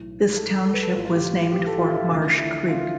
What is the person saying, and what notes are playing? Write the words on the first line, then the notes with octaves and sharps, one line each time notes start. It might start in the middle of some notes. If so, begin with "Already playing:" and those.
This township was named for Marsh Creek.
Already playing: B1 A2 E3
A4
A4
B4
A4
A1 A2 F3 F4
F4
G4
G4
G4
A4
F4
E4
F4
D2 D3 F3 E4
E4
F4